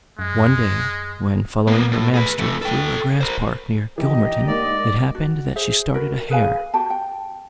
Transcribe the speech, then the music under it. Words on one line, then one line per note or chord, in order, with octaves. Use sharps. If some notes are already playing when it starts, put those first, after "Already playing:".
One day, when following her master through a grass-park near Gilmerton, it happened that she started a hare.
F#2 G#3
A#3 B3
A2
G#4 B4
F2 A3
A4 G5
A#4 C5
E3 D4 D#4 G4 D#5
G#2 A#3 D5
F#4
G#4 C5 E5
F#4 A#4 B4
G#4 B4 F5 G#5
F#4 G4 G5 A5
G5